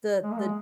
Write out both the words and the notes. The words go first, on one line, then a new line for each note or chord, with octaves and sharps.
the the
G#3
A#3
G#3